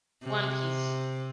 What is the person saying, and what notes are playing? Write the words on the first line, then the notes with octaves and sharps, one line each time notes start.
One Piece.
C3